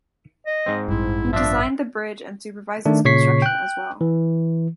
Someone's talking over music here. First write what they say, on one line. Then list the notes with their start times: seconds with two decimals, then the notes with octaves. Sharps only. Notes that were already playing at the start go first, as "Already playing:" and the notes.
He designed the bridge and supervised its construction as well.
0.47 D#5
0.66 G#2 C4
0.88 A1 G2 E4
1.33 F3 D4 E5
2.85 D#3 A3 D4
3.05 A#2 C#3 C#5 C#6 B6 C7
3.42 G5 F#6
4.01 E3